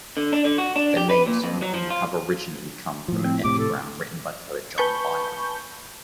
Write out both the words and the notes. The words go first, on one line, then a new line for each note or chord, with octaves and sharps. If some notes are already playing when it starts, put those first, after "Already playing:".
Their names may have originally come from an epigram written by poet John Byrom.
D3
D4
D3
F#4
D4
G4
B4
A#2
F2
F#3
F3
F4
A2 F3
C4
A2 C3 D6
A4
B4 G#5 A5 B5 C#6 G6